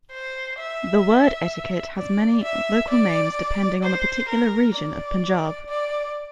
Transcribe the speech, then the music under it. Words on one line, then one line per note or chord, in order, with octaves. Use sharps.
The word etiquette has many local names depending on the particular region of Punjab.
C5
E5
D5
E5
D5
C5
A#4
D5
D5